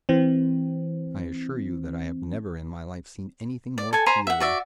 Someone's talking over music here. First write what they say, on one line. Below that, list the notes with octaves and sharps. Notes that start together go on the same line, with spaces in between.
I assure you that I have never in my life seen anything more clearly.
E3 C4
D5
A4 G#5
C5 G#5 A#5 B5
E5 F#5
F#4 D5 E5